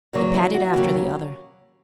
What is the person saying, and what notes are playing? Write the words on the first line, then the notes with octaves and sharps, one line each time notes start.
He padded after the other.
E2 C#3 F#3 A#3
E4
F#4
D#2 C#3 F#3